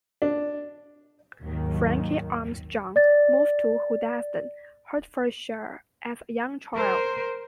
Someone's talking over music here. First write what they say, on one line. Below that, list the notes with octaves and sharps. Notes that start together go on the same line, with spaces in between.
Frankie Armstrong moved to Hoddesdon, Hertfordshire, as a young child.
D4
D#2 G#2 D#3 F#3
D5 A6
A#4 C5